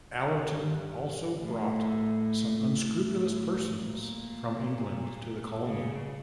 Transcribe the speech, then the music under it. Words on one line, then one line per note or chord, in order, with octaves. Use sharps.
Allerton also brought some unscrupulous persons from England to the colony.
G2
A2
A2
A#2
C#3